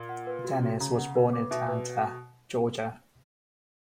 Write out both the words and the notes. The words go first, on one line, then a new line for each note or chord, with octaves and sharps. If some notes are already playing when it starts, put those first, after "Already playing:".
Dennis was born in Atlanta, Georgia.
Already playing: A#2
F#5
B4
F#4
F#4
C#3 A#5
F#5
B4
D6
B2 E5
B4